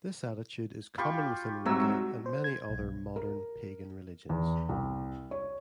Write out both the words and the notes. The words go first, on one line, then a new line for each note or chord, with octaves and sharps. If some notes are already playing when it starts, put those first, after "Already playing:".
This attitude is common within Wicca and many other modern pagan religions.
F4 G4 B5 C#6
C2 G#2 F#3 C#5 E6
C5
G#6
B1
A#4
E2
C2
C#5